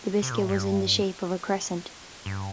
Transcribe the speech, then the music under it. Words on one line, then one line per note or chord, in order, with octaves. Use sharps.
The biscuit was in the shape of a crescent.
C3
A#2
A2
G2
G2